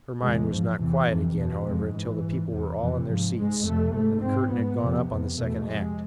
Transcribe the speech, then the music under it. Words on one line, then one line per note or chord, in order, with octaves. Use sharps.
Her mind was not quiet again, however, until the people were all in their seats and the curtain had gone up on the second act.
E2 C3 G#3
G#2 F3
E2 C3 E3
F2 C3
E2 B2
F2 C3 G#3
G#2 E3
G#2
E2 C3
F2 C3 E3
G#2 F3
G#2 G#3
F2 C3 A3
G#2 A3
G#2 C4
G#2 B3
F2 C3
F2 C3
E2 B2 A3
F2 C3 G#3